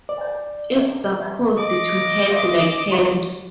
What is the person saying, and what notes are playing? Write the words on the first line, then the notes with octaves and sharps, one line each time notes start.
It's supposed to hurt like hell.
D5
D#5 D6